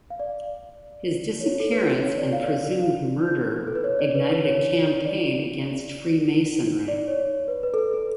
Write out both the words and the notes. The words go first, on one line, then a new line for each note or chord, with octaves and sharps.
His disappearance and presumed murder ignited a campaign against Freemasonry.
F5
D5
C#5
A4
B4
C#5
D5
F5
D5
F5
A4
B4
C#5
D5
B4
B4
C#5
D5
D5
C#5
B4
B4
A4
B4
A4